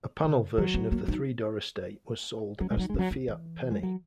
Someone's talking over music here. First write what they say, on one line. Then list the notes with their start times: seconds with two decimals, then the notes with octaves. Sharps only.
A panel version of the three-door estate was sold as the Fiat Penny.
0.24 C#3
0.58 D#3 F#3
0.74 B3
0.92 A#3
1.08 D#4
2.60 F#3 C#4
2.70 G#3
2.77 F#3 D#4
2.90 G#3
2.94 C#4
2.99 F#3
3.11 B3
3.28 E3
3.72 G#3
3.83 F#3